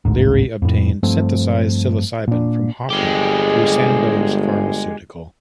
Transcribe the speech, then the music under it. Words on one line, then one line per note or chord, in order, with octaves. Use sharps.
Leary obtained synthesized psilocybin from Hofmann through Sandoz pharmaceutical.
A1 D2 G#2
F2 A2
G2 F3 A3 C4
A#2 D4
G1 G#3 G4 G#4